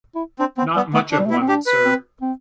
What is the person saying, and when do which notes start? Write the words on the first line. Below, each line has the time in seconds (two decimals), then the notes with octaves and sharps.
Not much of a one, sir.
0.15 E4
0.39 C4 D4
0.58 B3 C4
0.76 G3 B3
0.93 A3 B3
1.12 D4
1.19 G3
1.26 A3
1.30 E4
1.33 B3
1.41 C4
1.48 D4 G4
1.67 B4
1.85 C4
2.21 C4